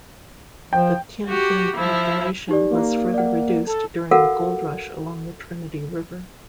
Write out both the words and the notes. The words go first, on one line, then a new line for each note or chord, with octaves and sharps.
The Tien-Tien population was further reduced during the gold rush along the Trinity River.
F3 G5
F#4 G4
F3 E4
D#4 G4 D5
A#3
D5 F#5
A4
F#4 A4 A#4 F5 F#5